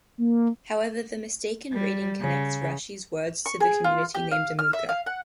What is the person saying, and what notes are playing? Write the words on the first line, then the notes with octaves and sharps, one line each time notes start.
However, the mistaken reading connects Rashi's words to the community named Amuka.
A#3
G3
C#3
C#6
G#4
F4
G4
F5
F6
E5
F5
F#5